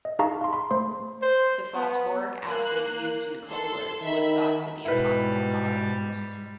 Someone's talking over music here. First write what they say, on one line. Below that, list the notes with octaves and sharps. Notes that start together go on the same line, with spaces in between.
The phosphoric acid used in colas was thought to be a possible cause.
D#5
D#4 G#4 F5 A5 A#5 C#6
F5 C6
B5 C6
A3 C5 C6
C5
B3
A#3 F#6
A4 C6
D#3 E5 B5
G#2 B2 G3 E4 B4